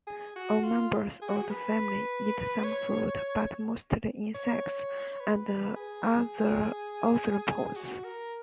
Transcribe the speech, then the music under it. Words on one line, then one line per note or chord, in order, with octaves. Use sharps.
All members of the family eat some fruit but mostly insects and other arthropods.
G#4
F#4
F4
G#4
F#4
G#4
B4
C#5
C#5
B4
B4
G#4
F#4
A#4